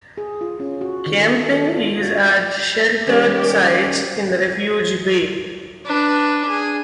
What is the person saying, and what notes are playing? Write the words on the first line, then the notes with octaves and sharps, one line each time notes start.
Camping is at sheltered sites in Refuge Bay.
G#4
F4
C#4
F#4
D#3
A4
A4
F4
F#4
D#3 G3 C#4 G4
D4 B4
G#4